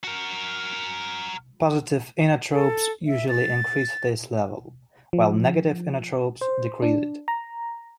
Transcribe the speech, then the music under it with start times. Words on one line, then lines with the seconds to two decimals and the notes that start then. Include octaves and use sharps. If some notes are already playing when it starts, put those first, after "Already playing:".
Positive inotropes usually increase this level, while negative inotropes decrease it.
0.04 F#4 A#4
2.51 A4
3.07 E5
3.29 A6
5.13 F3
6.41 C5
6.82 D4
7.28 A#5